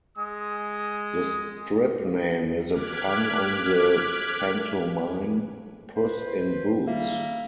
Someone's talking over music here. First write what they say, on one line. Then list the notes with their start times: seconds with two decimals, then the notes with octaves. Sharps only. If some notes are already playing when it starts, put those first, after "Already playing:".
The strip name is a pun on the pantomime "Puss in Boots".
0.17 G#3 D#6
2.69 D6 F6 F#6 G#6 B6
5.96 B4 C5
6.87 D#3 G3 A#3 E5